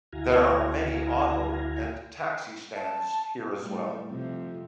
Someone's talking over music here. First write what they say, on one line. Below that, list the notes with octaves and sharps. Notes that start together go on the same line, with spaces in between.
There are many auto and taxi stands here as well.
D2 E4 F#4 F5 G#5 A#5
A5
A2 G3 A3
F2 C3